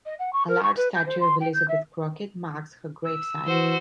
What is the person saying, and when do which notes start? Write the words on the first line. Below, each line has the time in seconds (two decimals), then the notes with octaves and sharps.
A large statue of Elizabeth Crockett marks her grave site.
0.06 D#5
0.19 F#5
0.33 C#6
0.48 A#4
0.63 C#6
0.77 B4
0.95 G6
1.06 C5
1.20 C6
1.40 G5
1.54 G6
1.68 E5
3.05 E6
3.47 E3 F#4 C5